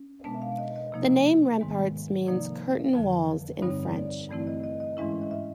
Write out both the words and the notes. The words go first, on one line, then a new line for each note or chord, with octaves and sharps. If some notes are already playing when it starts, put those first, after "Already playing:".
The name "Remparts" means curtain walls in French.
Already playing: C#4
B2 G#3 B3 D4 A5
E5
F5
D#5
D#5
C3 F3 A#3 D#4
G#2 D#3 G#3 B3
C3 F3 A#3 D#4 D5
F2 D3 F3
G2 D3 G3 C4 D#4 C#5
D5
G2 E3 A3 C4 E4 D5
D#5
D#5
D#5
G#2 E3 G#3 C#4 E4 E5
D#5
E5